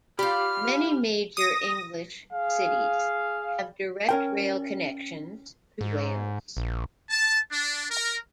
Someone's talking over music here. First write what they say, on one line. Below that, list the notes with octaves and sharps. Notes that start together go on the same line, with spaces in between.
Many major English cities have direct rail connections to Wales.
F4 G4 D5 B5 F6
D#6 A#6
G#4 F5
C#4 A#4 G5
G#2
A#1
A5
D4
A#4